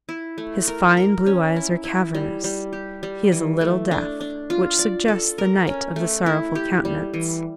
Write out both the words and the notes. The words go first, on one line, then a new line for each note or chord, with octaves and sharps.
His fine blue eyes are cavernous; he is a little deaf, which suggests the Knight of the Sorrowful Countenance.
E4
A3
A#4
A#4
C#4
E4
E4
G3
G3
G4
G3
E3
A3
D4
D4
F4
D5
A4
A#4
C#4
A3
E4
G4
G3
E3